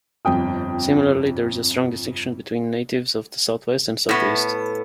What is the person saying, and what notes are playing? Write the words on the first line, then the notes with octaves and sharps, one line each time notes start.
Similarly, there is a strong distinction between natives of the south-west and south-east.
G1 F2 G5 D#6
A2 B3